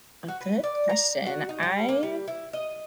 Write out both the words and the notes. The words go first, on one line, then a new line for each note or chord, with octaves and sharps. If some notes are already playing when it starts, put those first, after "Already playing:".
a good question, I
F#4
B4
D5
A#5
F#4
D#4
G3
A#3
G3
E4
D#5